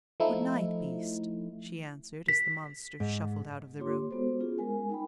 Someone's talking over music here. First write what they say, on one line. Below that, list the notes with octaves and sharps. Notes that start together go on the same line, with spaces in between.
"Good night, beast," she answered, as the monster shuffled out of the room.
F3 A3 D#4 E4
B6
G#2
A#3 F4 G4 C#5 C6 D6
G#3 B3 F#4 A4 C5
C#4 F4 G#4
G#3 A#4 G#5
D#4 G5 B5